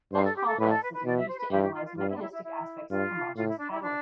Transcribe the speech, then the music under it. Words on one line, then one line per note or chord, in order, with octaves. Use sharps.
Such complexes are used to analyze mechanistic aspects of homogeneous catalysts.
G2 C5
A4
G4
A4
A2 B4
A4
B4
B4
B2 D5
E5
C5
B4
G2 G4
G4
F4
F4
G2 F4
E4
D4
E4
E4
E4
G2 F4
A2 F4
E4
D4
E4
D4